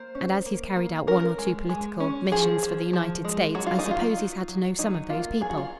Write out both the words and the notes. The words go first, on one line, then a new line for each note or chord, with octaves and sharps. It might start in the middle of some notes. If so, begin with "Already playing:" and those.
And as he's carried out one or two political missions for the United States, I suppose he's had to know some of these people.
Already playing: A#3 C5
C#4
A#3
A#3
C#4 A#4
G#3
G#3
C#4
F3 G#4
F3
F3
G#3
F#3 F#4
F4
D#4
F#3
F4
D#4
F#3
F#3 D#4
A#3 F4
F#3 G#4
F#4
F4